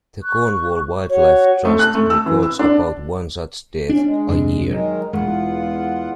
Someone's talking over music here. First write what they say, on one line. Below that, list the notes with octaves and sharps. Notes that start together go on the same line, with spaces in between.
The Cornwall Wildlife Trust records about one such death a year.
C#6 F#6
F#4 C#5
A3
F#6
A3
E6
E3
E6
D4
C#4 D4
G#3
F2 C3 D4
D#3 F#3 G#3 A#4
E1 E2 G#3 F4 F#5